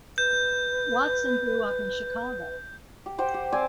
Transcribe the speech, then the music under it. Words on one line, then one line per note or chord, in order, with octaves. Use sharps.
Watson grew up in Chicago.
B4 G6
G4
G4 C5 F#5 G5
G4
C4 D5 G#5